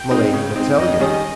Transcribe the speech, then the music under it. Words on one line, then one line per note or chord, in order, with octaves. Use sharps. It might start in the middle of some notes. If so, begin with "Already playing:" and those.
"Milady will tell you."
Already playing: G5
G#3 C4 D#4
C#3
G#3 C4 D#4
F2 D#5
D#3 G3 C#4 G#4
D#5